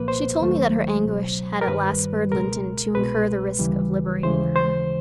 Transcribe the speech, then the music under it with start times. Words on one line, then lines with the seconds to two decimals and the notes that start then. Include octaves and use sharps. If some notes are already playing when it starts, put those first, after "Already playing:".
She told me that her anguish had at last spurred Linton to incur the risk of liberating her.
Already playing: C2 A#2 F3 A#3 B4
0.08 C5
0.40 D#2 D#3 F#3 A3
1.03 C#2 B2 F#3
1.61 A#4
1.67 G2 D#3 G3 B4
2.31 C#2 B2 G#3 A#4
2.95 C2 B2 G#3 B4
3.59 D#2 C#3 E3 G3
4.23 D#2 C#3 E3 G#3 C5
4.56 C5